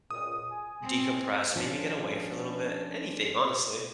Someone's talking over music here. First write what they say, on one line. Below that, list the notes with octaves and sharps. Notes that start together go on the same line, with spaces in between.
decompress, maybe get away for a little bit, anything, honestly.
C#2 F#2 A#2 D#6
G#5
C4
F3 C#4 D4